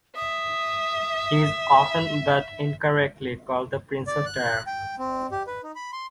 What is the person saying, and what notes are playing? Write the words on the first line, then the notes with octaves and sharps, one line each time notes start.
He is often but incorrectly called the Prince of Tyre.
E5 D#6
D5
F#6
G5
C4
G4
B4
D#4
B5
C6